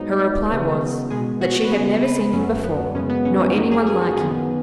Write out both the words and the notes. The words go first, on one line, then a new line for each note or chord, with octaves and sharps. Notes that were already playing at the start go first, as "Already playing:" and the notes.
Her reply was, that she had never seen him before, nor any one like him.
Already playing: G#2 F#3 B3 D#4
C#3 F#3 B3
B2 G#3 B3 G#4
F#4
B4
C#3 G#3 B3 G#4
B4
F#2 F#3 B3 C#4
B3
F#2 C#3 G#3 B3 C#4
B3
C#4
C#4
F#2 C#3 F#3 B3 D#4
G#4
G#4
F#4
F#2 D#3 B3 G#4